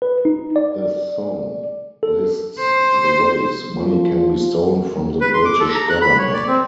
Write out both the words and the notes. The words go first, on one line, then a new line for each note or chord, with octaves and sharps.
The song lists the ways money can be stolen from the British government.
B4
D#4
D5
A4
C5
F3
B4
C6
D6
A4
A#5
F#6
B5
C#5
D5
C4